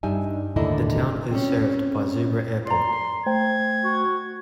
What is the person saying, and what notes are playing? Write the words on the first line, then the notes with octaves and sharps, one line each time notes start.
The town is served by Zougra Airport.
G2 G3 D#4 E5 G#5
D#2 A2 D3 A#3 E4 D#5
C4 C#4
D5 A#5 C6
A3 C5 G5 G#6
F#4